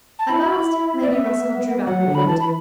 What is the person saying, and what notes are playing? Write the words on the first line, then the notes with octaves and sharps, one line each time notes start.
At last, Lady Russell drew back her head.
A5
E4 B5
F#4
E4
D5
B3 E5
F#3 F#5
D3
F#3 B5
E3 A5
B5